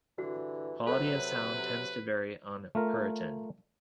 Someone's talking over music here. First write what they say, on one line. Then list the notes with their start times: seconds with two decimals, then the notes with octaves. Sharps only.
Quality of sound tends to vary on Puritan.
0.18 G2 D3 E3 F#4
0.87 C3 F#3 A4 B4 C#5
2.75 A3 F4 A#4